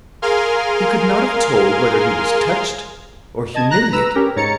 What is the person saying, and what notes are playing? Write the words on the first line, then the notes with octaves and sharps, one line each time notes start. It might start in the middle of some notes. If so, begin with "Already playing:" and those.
He could not have told whether he was touched or humiliated.
G#4 A#4 F5 G#5 C6 F6
D#5 A5 G#6
A#5 F#6 A#6
B4 A#5 E6
C#4 G4 A#4
G#2 C#5 A#5 A6 C#7